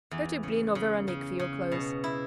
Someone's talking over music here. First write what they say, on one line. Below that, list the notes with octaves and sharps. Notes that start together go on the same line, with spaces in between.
Go to Blin or Veronique for your clothes.
E2
C#3
C#3
C#3
C#3
B2
E4